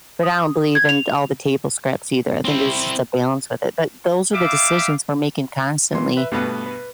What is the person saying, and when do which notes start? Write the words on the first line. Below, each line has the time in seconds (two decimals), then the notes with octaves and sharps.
but I don't believe in all the table scraps either. I think there's just a balance with it. But those are the decisions we're making constantly.
0.23 D#6
0.75 G#6
0.89 F7
2.45 C4 E4
4.33 G3 E5 F5 D6
5.93 E3 C6
6.17 B4 E5
6.32 G2 B2 A3 B3
6.66 B4